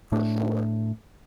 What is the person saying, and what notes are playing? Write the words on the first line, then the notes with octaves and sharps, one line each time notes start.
For sure,
A2 A3 D4